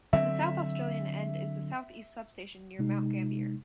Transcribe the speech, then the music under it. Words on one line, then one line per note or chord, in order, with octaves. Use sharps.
The South Australian end is the South East substation near Mount Gambier.
D3 F#3 C4 E5
C3 G#3 D#4